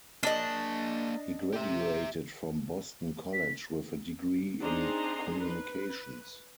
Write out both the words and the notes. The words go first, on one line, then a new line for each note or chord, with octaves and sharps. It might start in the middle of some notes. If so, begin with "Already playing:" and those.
He graduated from Boston College with a degree in communications.
A#3 D4 D#5 A5
G4 E5
B6
C4 D4 D#4 G#4 A#5 C6
B4